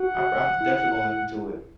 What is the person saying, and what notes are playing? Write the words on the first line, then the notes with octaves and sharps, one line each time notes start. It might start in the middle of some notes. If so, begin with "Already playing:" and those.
I, from definitely gonna look into it.
Already playing: F#4 F#5
E4